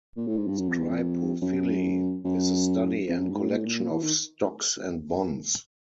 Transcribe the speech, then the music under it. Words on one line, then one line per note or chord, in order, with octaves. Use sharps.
Scripophily: is the study and collection of stocks and bonds.
A#2
A2
G#2
G2
F#2
F2
E2
F2
F#2
F#2
F2
F#2
G2
G#2
A2
A#2
A2
A#2
E3
D#3